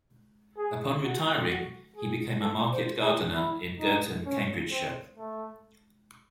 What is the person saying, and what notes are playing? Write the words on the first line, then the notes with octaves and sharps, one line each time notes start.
Upon retiring, he became a market gardener in Girton, Cambridgeshire.
G#4
F#4
F#4
G#4
A4
C5
G#4
E4
D#4
C#4
C4
A3